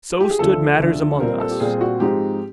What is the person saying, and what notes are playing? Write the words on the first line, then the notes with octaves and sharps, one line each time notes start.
So stood matters among us.
G4
G#4
D2 D3 F3 A4
D2 D3 F3
A#2 G3 C4 A#4
A4
G4
A#2 G3 C4 G#4
F#4
G#2 F3 G#3 C4 D#4 G4